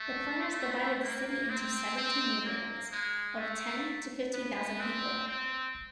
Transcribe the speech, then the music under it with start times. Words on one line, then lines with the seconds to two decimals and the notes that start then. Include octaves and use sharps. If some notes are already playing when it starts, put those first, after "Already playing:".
The planners divided the city into seventeen neighborhoods of ten to fifteen thousand people.
Already playing: A3
1.02 A#3
1.50 C4
1.97 C4
2.45 A#3
2.92 G#3
3.38 A3
4.34 B3
4.80 C4
5.28 C4